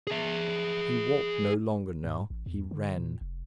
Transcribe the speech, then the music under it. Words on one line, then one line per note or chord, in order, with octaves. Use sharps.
He walked no longer now; he ran.
G#4 E5
G#2
A1
E2
D3
A#2
F1